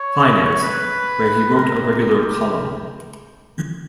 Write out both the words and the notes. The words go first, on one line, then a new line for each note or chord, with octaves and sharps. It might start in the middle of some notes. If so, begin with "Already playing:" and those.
Finance where he wrote a regular column.
Already playing: C#5
B4
A#4
A#4
G4